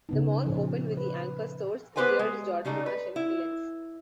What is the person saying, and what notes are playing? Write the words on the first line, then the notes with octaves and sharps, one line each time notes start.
The mall opened with the anchor stores Sears, Jordan Marsh, and Filene's.
C#3 B3 D#4
A#2 F3
B4
B3 G4 B4 C5 G5 G#5
G#3
C#3 G3 A3 D#4
B4
E4